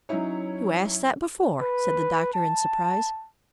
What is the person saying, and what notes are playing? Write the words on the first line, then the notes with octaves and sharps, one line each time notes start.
"You asked that before," said the doctor in surprise.
F#3 C#4 D#4 E4 C#5
B4
A5